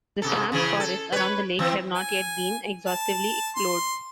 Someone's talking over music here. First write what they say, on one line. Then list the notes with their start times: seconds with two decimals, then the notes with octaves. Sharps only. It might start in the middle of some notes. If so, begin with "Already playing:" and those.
The swamp forests around the lake have not yet been exhaustively explored.
0.22 G#2 C3 A4
0.52 C#3 E3 G#4
0.80 A4
1.12 B4 C#5
1.59 E3 C4
1.95 G#5
2.86 A5
3.56 C6